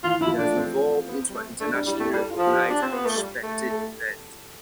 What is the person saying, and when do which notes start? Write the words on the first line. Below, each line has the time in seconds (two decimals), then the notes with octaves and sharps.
It has evolved into an internationally recognized and respected event.
0.04 E3 F4
0.21 F3 E4
0.38 A3 D4
0.56 C4
1.08 B3
1.29 G3
1.34 A3
1.60 A3 D4
1.73 G3 D4
1.86 G3 E4
2.00 A3 G4
2.13 G3 A4
2.30 F4
2.38 F3
2.47 G4
2.70 D4
2.82 C4
2.93 B3
3.05 A3
3.17 G3
3.43 A3
3.70 A4